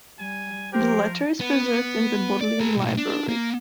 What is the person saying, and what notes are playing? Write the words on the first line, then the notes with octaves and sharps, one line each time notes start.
The letter is preserved in the Bodleian Library.
G3 G#5
F3 G4 A#4 C5
B3
D5
G#4 A#4
B1 A2
D4
A#3